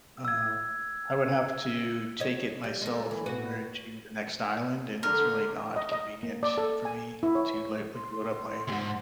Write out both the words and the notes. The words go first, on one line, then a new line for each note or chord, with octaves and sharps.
Um, I would have to take it myself over to the next island, and it's really not convenient for me to, like like, load up my
E6 G#6
C#5 D#5
G3
G#3 A4
E3
A2 F#4 B4
D3 A#4
D#5
D#5
A#3
D5
A4
G#5
E4
C#5
C6
D2 G#2